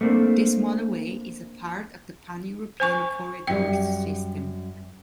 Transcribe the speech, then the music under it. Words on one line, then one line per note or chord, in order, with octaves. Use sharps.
This motorway is a part of the Pan-European corridors system.
A3 A#3 C4 D4
C5 G#5 C#6
F#2 G3 G5